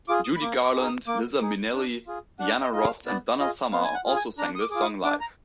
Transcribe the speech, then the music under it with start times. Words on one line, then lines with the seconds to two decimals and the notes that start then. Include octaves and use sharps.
Judy Garland, Liza Minnelli, Diana Ross and Donna Summer also sang this song live.
0.08 F4 G#4 D6
0.25 D#6
0.36 B5
0.42 A#3 D6
0.64 D6
0.75 D#4 G#4
0.86 D#6
1.07 A#3 D6
1.41 D#4 G#4
1.73 D4
2.07 F4 G#4
2.39 D4 F#5
2.62 D#5
2.72 F4 G#4 D#5
2.84 F5
3.06 B3 D5
3.39 F4 G#4 D#5
3.72 B3 F5
3.84 G#5
3.94 F#5
4.05 F4 G#4
4.16 G#5
4.38 D4 A#5
4.55 D#6
4.61 D6
4.71 F4 G#4 D6
4.82 D#6
5.04 D4 D6
5.20 A#5